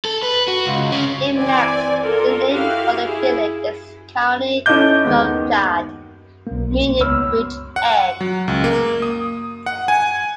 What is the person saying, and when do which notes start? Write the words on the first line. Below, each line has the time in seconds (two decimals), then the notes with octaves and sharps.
In Manx the name for the village is "Kione Droghad" meaning "bridge end".
0.05 A4
0.23 B4
0.48 F#4
0.66 C#2
0.92 C#3
1.35 E3 C4 D5 G#5
2.03 F4 A4 A#4
2.50 E4 F#4 G4 F5
3.03 E4 G#4
4.66 C#4 E4 A4 D#5 D6 G6
5.05 D#2 D#3 G#3 B3
6.47 B1 A#3
7.00 C#2 B3 C#5 B5 E6 F6
7.76 F#5
8.21 F#3
8.48 C#2
8.64 A#3
9.02 D#6
9.66 F#5
9.88 G#5